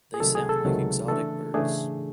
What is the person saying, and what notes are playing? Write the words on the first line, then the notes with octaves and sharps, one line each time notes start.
They sound like exotic birds.
G#4
C#2 C3 D#3 F#3 A3 A4
G#4
A4
C#2 C3 D#3 F#3 A3
C#3 E3 A3 D4 A4
C#3 E3 A3 D4 G#4